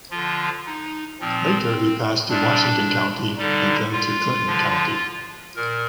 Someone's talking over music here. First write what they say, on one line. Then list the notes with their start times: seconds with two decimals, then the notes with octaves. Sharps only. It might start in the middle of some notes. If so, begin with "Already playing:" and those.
Later he passed to Washington County and then to Clinton County.
0.11 D3 F3 F4
0.66 D#4
1.20 A#2 F3 C4
2.28 A#2 G3 D4
3.37 D3 G3 D#4
3.92 F4
4.47 D3 F3
5.56 A#2 A#4